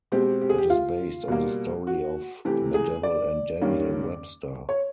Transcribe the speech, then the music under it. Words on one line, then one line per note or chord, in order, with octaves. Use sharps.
It is based on the story of "The Devil and Daniel Webster".
B2 G#3 C4 G4
G4
G#4
G4
F4
B2 G3 A#3
F#4
C3 E3 A3 G4
G#4
D5
G2 D#3 G3 A#3 C#4
C#5